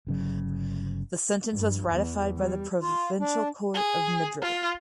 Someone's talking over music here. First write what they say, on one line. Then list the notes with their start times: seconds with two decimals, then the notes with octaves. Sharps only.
The sentence was ratified by the Provincial Court of Madrid.
0.07 G1 C#3 F#3
1.51 G2
1.89 E2
2.36 G3
2.82 F4
3.21 D4
3.75 G#4
4.42 F4